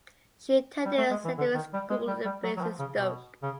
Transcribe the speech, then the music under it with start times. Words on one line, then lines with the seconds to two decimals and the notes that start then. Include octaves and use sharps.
She attended secondary school in Basingstoke.
0.85 G3
0.97 A3
1.10 G#3
1.24 E3
1.38 D3
1.54 D#3
1.73 G3
1.90 G#3
2.07 G3
2.25 G3
2.43 F#3
2.57 F#3
2.61 F3
2.79 C#3
2.96 B2
3.42 C#3